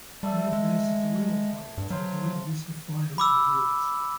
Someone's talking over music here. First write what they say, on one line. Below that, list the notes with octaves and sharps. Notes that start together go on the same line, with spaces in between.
"Mad Bess" is oil-fired to avoid the risk of fire in the woods.
G3 A3 E5
G#3
G2
F#3 C5 F5
B5 D6 E6